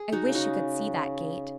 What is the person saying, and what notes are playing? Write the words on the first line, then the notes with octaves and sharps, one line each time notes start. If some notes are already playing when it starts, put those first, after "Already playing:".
I wish you could see that gate.
Already playing: G#4
D#4 F#4
C#3
D#4 F#4